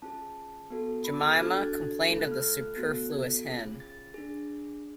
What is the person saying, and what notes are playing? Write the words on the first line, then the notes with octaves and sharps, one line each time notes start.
Jemima complained of the superfluous hen.
C#4 F4 G#4 A5
B3 F#4 A4
B5
D6
F6
F#6
D4 F#4 A4 G#6
A6
G#6
A3 F4 A4 G#6
F#6
F6
B3 F#4 A4 F#6
G#6
C#4 F4 G#4
A6
D4 G#4